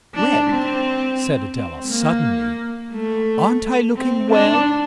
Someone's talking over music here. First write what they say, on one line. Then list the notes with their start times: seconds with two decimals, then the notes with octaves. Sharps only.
"Well," said Adela suddenly, "aren't I looking well?"
0.15 D4
0.50 C4
1.53 C4
1.88 A#3
2.92 A3
3.96 C4
4.31 D4